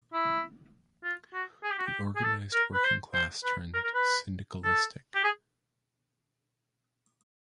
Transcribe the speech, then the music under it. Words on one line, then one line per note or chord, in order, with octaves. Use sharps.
The organized working class turned syndicalistic.
E4
F4
F#4
G#4
G4
F#4
G4
G#4
A4
A#4
B4
C5
C5
B4
A#4
A#4
B4
A4
G4
G#4